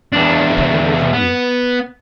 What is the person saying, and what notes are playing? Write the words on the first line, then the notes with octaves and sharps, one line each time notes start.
Heavier than you.
E2 D4
B3